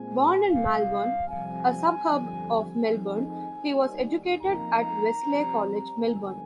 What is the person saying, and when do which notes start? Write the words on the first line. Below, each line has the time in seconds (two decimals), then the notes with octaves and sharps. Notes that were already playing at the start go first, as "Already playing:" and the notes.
Born in Malvern, a suburb of Melbourne, he was educated at Wesley College, Melbourne.
Already playing: A#2 G#3 C4 G#5
0.50 C2 C3 G3 F5
1.28 F2 C3 G3 G#5
2.06 G1 F2 D3 G3
2.85 F2 D#3 G#3 C4 D#4 G#5
3.63 D#2 D#3 G3 A#3 D#4
4.42 F2 D#3 A#3 D#4 A#5
5.20 F2 C3 G3 C4
5.98 G1 F2 D#3 G#5